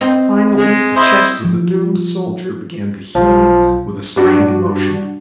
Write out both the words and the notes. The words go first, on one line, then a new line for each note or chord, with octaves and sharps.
Finally, the chest of the doomed soldier began to heave with a strained motion.
C4 D#4
G#3
E4 C5 D#5
F3
B1 F3
G2 D4 F#4